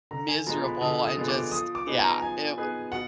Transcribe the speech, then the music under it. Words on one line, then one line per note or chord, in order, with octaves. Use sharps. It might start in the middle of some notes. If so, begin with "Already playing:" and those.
miserable and just yeah, it
D3 A#5
G#5
F3 G#3 B3 A#5
B5
D3 D#6
D#6
F3 G#3 B3
D6
F3 D#6
D6
B3 D#4 G#4 B4
A#5
F3 G#5
B3 D#4 G#4 B4
B2 F#5